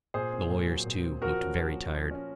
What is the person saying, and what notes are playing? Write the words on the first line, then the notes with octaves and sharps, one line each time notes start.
The lawyers, too, looked very tired.
A#2 G#4 C5
C4
A#2
F#3
A#2
C4
F3 F#4 A#4
C#4
F3
A#3
F3
C#4